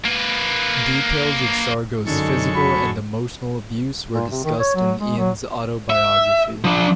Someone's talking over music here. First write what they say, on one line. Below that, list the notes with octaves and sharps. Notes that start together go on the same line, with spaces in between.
Details of Sargo's physical and emotional abuse were discussed in Ian's autobiography.
A#3 B4
F#2 D3 G#3 D#4 A4 C#6
F#4 B5
A#2
C3
D#3
C#5
F#3
G#3
F#3
E5
F3 D4